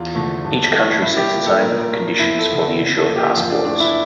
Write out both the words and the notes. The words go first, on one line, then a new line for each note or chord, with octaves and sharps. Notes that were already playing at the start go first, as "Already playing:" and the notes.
Each country sets its own conditions for the issue of passports.
Already playing: E2 F4
D3 F3 A3
G2
E3 A3
G2 E4
G4
F3 A#3
A4
A#2 A#4
A#4
A3
F2 E4
A4
D3 F3
A4
C#3
A4
F3 A#3
G4
F2 F4
D4
E3 A3 D4
E4